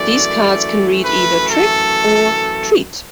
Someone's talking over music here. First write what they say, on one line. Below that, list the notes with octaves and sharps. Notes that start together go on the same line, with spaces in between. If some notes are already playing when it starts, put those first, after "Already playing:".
These cards can read either 'Trick' or 'Treat'.
Already playing: F#2 E3 A3 D5
B4
A4